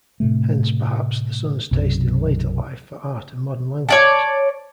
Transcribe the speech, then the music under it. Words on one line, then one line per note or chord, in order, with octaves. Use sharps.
Hence, perhaps, the son's taste in later life for art and modern languages.
A2 C3 A3
B1 F#2 C3
C#5 D5 A5